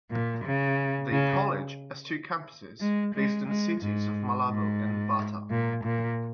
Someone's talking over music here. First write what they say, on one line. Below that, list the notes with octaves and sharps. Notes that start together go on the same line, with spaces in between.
The college has two campuses, based in the cities of Malabo and Bata.
A#2
C#3
C#3
G#3
G#3
G#3
G#2
G#2
A#2
A#2